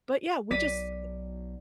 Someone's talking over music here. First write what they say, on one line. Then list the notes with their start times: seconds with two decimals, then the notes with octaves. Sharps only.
but, yeah, we just
0.51 B1 F#3 D5 B6 D#7